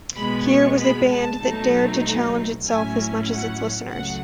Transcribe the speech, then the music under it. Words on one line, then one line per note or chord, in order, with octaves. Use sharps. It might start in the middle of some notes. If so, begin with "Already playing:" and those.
Here was a band that dared to challenge itself as much as their listeners.
B2 G#3 B3 B5
C#6
B5
A5
B2 F#3 A3 D#4
A2 F#3 C#4 E4 G#5
F#5
C#2 C#3 F#3 A3 F#5